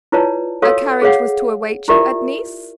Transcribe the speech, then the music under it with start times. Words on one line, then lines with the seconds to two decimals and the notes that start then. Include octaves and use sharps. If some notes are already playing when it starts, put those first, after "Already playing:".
"A carriage was to await you at Nice?"
0.12 E4 F4 B4 C#5 D5 A5
0.62 F#4 A4 C#5 F5 E6
1.02 G#4 C#5 F5 F#5
1.88 E4 F4 G4 A#4 D5 E5